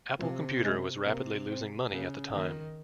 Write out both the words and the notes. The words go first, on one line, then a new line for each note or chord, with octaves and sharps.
Apple Computer was rapidly losing money at the time.
C3 F3
G#3
C3 A#3
C4
C#3 A#3
D#3 A#3